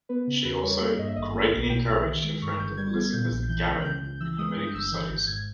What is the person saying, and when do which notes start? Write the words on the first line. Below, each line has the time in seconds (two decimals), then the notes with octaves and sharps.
She also "greatly encouraged" her friend Elizabeth Garrett in her medical studies.
0.09 B3 B4
0.27 C#3
0.44 E2 B4
0.63 G3 C#5
0.81 A#3
0.98 G2 D#5
1.08 E5
1.16 G#1 D#5
1.35 A#3
1.53 B1
1.69 B2 G5
1.88 B1 E5
2.06 D#3
2.24 G#3
2.42 G2 C#6
2.59 G1 G6
2.77 G3 G#6
2.95 B3
3.12 A#2 G6
3.31 A#1
3.49 E3 G6
3.67 C#2
3.84 C#3 G6
4.02 C#2
4.20 E3 E6
4.38 G#3 D#6
4.56 G2 D#6
4.67 G6
4.74 G1 E6
4.91 E3 G6
5.09 G#1
5.27 G#2 G#6